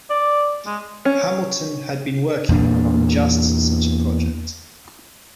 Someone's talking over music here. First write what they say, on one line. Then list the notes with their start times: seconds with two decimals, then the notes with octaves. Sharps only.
Hamilton had been working on just such a project.
0.10 D5
0.66 G#3
1.05 C#4
2.49 E2 A#2 D4